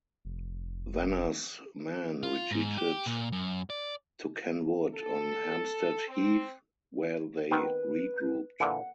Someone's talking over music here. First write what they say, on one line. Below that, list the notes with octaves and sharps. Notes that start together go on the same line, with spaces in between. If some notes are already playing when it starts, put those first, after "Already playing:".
Venner’s men retreated to Ken Wood on Hampstead Heath where they regrouped.
F1
F4
G#2
G4
A#2
F#2
D5
A4
C4
D#3 B3 C4 B4
A#2 D3 E3 F#5